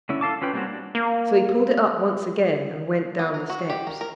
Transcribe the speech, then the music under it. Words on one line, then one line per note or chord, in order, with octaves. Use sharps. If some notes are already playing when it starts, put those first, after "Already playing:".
So he pulled it up once again and went down the steps.
D3 C#4 E4
A4 F5 A5 D6
C#4 F4 B4 G5
G3 A#3 C4 C#4 F#4
D4
A#3
B3
A#4
F#4
G4
A#4
A#4